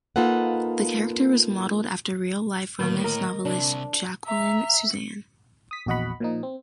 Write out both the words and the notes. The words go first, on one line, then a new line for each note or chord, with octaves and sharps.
The character was modeled after real-life romance novelist Jacqueline Susann.
A#3 D#4 F4 A4 B4 F#5
A2 D3 D#3 A#3
A#4 D#5
C2 C3 D4
E5 A#5
D#6 B6
A#1 E2 F#4 D#5 F#5 B5
A#2 F3 D#4
C4